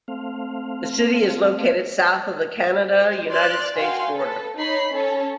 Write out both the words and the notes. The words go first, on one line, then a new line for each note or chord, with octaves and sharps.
The city is located south of the Canada-United States border.
A3 C4 F5
C5
D5 C6 F6 F#6
F#4 F5 G5 G#5 C6
A4 B4
D#4 C#5 B5 C7
C#4 A4 C#5